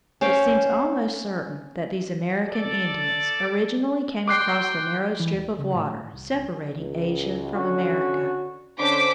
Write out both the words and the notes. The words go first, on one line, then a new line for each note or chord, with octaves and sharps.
It seems almost certain that these American Indians originally came across the narrow strip of water separating Asia from America.
C#4 C5 F5 G5
A4 D5
G5 C6 D6 F#6 C7
E3
D#2
C#3
A2
C2
C#2
C#2
D3 C#4 F#4
D3 C#4 D4 C5 D6 B6